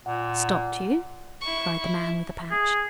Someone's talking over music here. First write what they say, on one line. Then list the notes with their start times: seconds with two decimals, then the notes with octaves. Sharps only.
"Stopped you?" cried the man with the patch.
0.06 A#2 F#5
1.41 E4 C#6
1.79 E4
2.51 G#4